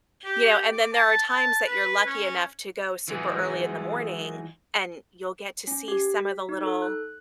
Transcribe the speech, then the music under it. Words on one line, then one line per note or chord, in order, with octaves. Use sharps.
You know, and then there are times that you're lucky enough to go super early in the morning, and you'll get to see some of the little
G4
D6
A5
A5
B4
C#4
E3 F#3 G#3 D#4 G#4
C#4
G4
B6
D#4
A4
F#6